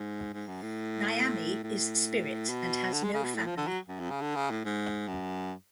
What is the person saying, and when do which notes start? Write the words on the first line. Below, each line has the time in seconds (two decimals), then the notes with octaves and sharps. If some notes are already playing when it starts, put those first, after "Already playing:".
Nyame is Spirit and has no family.
Already playing: G#2
0.33 G#2
0.48 F#2
0.62 A2
1.63 A2
2.49 B2
2.93 D3
3.04 G#3
3.14 C#3
3.24 B2
3.35 A2
3.46 F3
3.57 D3
3.67 F#3
3.89 F#2
4.00 F2
4.10 C#3
4.21 D3
4.35 C#3
4.51 A2
4.65 G#2
5.08 F#2